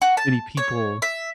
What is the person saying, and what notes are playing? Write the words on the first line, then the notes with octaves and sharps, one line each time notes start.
many people
F#4
A5
C#5
E5